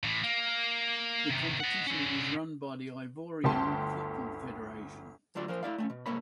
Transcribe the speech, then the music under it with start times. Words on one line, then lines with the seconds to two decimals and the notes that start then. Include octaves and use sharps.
The competition is run by the Ivorian Football Federation.
0.03 A2 E3
0.23 A#3
1.30 C3 D#3
1.60 D#5 F#5
1.87 D3 C#4
3.44 G1 D2 G5 A5 C6
5.35 D2 F#3 F4 D5
5.48 F3 A#4 C5
5.63 E4 D5 F5
5.78 A3 C4 C#4
5.90 B2
6.06 C2 G#2 A#3 C#5 B5